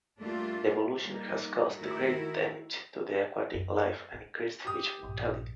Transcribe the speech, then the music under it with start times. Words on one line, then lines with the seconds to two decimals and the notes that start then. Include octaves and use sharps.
The pollution has caused great damage to the aquatic life and increased fish mortality.
0.20 G3 A3 A#3 D4 F4
1.04 G3 A#3 D#4
1.79 D#3 A3 E4 F#4 A#4
3.54 F#2
4.13 C#3
4.65 G4 D#6
5.03 A#1 G2